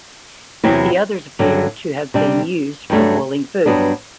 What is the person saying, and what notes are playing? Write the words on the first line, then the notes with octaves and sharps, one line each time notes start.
The others appear to have been used for boiling food.
E2 C3 F#3 C4 E4
G2 D3 F#3
C3 G3 D4
G2 F#3 A3 D4
G2 F#3 B3 D4